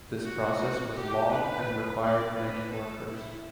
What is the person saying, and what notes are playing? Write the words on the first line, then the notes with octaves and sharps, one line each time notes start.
This process was long and required many workers.
F#4
F#4
G4
B4
D5
B4
A4
E4